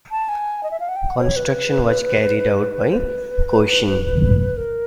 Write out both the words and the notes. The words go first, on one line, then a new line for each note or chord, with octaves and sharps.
Construction was carried out by Costain.
A5
G#5
D#5
E5
F5
F#5
G5
F#5
C5
C#5
B4
C5
B4
A#4